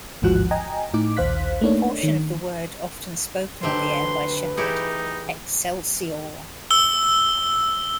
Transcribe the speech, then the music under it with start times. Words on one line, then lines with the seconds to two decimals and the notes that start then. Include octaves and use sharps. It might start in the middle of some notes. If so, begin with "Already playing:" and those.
A portion of the word often spoken on the air by Shepherd - Excelsior!
0.22 A1 D#2 G#2 F3 F#4 F#6
0.51 D#5 G5 G#5 A#5
0.94 A2 D#4 D6
1.17 A#1 D#2 C5 F5 F#6 B6
1.61 A3 A#3 D4 D#4 C#5
2.03 D#3
3.63 D3 F#3 A3 G4 B4 C5 C6
4.57 E3 D#4 E4 G4 G#4 C#7
6.71 E6 G7